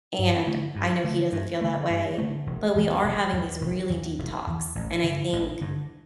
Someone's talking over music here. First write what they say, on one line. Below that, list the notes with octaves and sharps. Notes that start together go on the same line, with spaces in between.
and I know he doesn't feel that way, but we are having these really deep talks, and I think
G2
D3 A3
G2
D3 A3
G2
D3 A3
G2
D3 A3
E1
E2 E3
E1
E2 E3
E1
E2 E3
E1
E2 E3
A1
G2 D3
A1
G2 D3